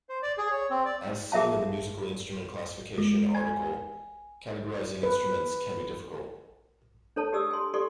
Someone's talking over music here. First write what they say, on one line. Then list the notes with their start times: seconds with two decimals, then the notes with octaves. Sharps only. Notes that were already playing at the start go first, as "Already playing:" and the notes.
As seen in the musical instrument classification article, categorizing instruments can be difficult.
0.09 C5
0.23 D5
0.38 G#4
0.51 C#5
0.70 C4
0.85 D5
1.32 G#4 A#4 E5 F5 A5
2.98 G#3
3.35 G#5
5.03 B4
7.16 D4 A4 C#5 A5
7.33 G4 G#4 D5 D#6 E6
7.51 G#5 C6
7.74 G4 A4 D5 G#5 C6 C#6